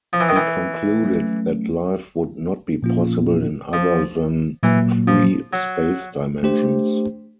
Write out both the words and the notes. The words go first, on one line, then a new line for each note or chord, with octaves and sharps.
He concluded that life would not be possible in other than three space dimensions.
F3
E3
D#3
E3
F#3 A3 C#4
A#2 F3 A#3 C#4 F4
F3
A#2 E3 F#3 A#3
F3
F#3
A3 D4 G4 C5